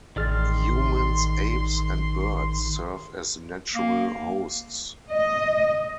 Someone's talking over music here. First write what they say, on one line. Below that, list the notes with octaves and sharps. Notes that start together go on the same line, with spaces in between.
Humans, apes, and birds serve as natural hosts.
A1 D#3 G#4 D5 C6 F6 A6
A#3
D#5